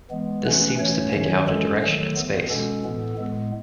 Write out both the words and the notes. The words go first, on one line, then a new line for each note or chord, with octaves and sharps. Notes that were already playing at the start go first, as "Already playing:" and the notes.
This seems to pick out a direction in space.
E3 G#3 B3
E3 A3 C#4 B4
E3 A3 C#4 C#5
D#3 F#3 C#4
E3 G#3 C#4 A4
D#3 F#3 A3
E3 B3
B2 G#3 C#4 A4
A2 E3 B3
A2 G#3 B3